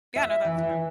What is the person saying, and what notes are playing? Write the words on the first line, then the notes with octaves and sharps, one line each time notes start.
Yeah. No, that's true.
E5
E3
E3